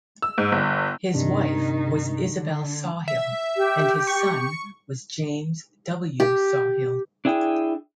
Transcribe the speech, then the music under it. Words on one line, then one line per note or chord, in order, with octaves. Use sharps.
His wife was Isabel Sawhill and his son was James W. Sawhill.
E6
G#2
G1
G2 C3 D#3 D4 D#4
D3
E5
G4
C#6
G4
D4 E4 G#4 G5